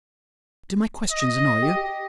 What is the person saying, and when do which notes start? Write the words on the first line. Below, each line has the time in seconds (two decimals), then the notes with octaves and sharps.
"Do my questions annoy you?"
1.11 D#5
1.62 G4